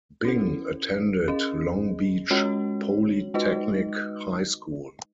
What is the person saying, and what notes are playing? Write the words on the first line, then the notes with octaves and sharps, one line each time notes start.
Bing attended Long Beach Polytechnic High School.
C#4 E4 A4
C#4 G#4 D#5
G#3 C#4 F#4 C#5
G#3 D#4 F#4 B4 D#5